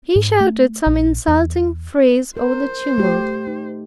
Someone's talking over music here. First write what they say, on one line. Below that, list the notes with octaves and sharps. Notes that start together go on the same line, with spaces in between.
He shouted some insulting phrase over the tumult.
G#2
A3
A#1
E2
A#4 C5
A3 G4
D#4